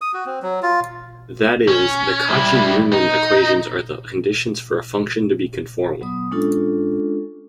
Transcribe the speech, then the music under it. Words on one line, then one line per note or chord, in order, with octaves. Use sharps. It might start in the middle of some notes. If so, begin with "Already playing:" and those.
That is, the Cauchy-Riemann equations are the conditions for a function to be conformal.
D#6
F#4
C4
F#3
F4
C#4
G3 E4
D#4
F#3 B3 D#6
G#3 C#4 D4 F4 A4